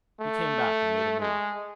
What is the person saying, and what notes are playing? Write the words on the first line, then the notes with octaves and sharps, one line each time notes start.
He came back and made a move.
A3
G#3